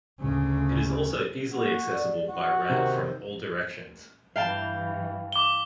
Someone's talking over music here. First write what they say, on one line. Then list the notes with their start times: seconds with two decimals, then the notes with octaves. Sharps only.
It is also easily accessible by rail from all directions.
0.20 D2 C#3
1.53 A#3 F#4
1.92 D5
2.29 F#4 F#5
2.69 C3 D#3 C5
4.36 G2 E3 F5 G5 A5
5.32 D6 G7